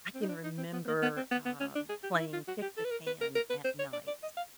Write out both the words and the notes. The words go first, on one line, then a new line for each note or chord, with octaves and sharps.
I can remember, um, playing kick the can at night
C4
D#4
D4
D#4
C4
B3
A#3
B3
C4
B3
B3
C#4
D4
G#4
G4
D#4
E4
F4
F#4
G4
A4
B4
A#4
B4
A#4
A#4
B4
C5
C#5
D5
D5
D#5
F5